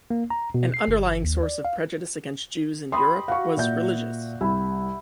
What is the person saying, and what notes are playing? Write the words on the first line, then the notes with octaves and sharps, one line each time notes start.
An underlying source of prejudice against Jews in Europe was religious.
A#3
A#5
B2
C7
G1
D#2
D5
F5
G4 D#5 B5 C6 D#6
F#4 F5 C#6
A#2 E5 G6
C2 E4